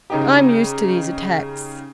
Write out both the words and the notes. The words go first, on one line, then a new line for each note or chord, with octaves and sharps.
I'm used to these attacks.
C#3 D#4 G4